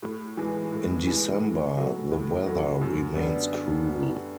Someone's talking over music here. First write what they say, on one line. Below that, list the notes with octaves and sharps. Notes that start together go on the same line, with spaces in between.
In December, the weather remains cool.
A2
E3 G#3
A2
E3 G#3
A2
F#3 A3
A2
F#3 A3
F#2
D3 G3 B3